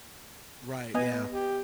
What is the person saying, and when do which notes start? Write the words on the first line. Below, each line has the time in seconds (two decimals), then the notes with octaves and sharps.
Right, yeah.
0.94 B3 D#5 G#5
1.31 G4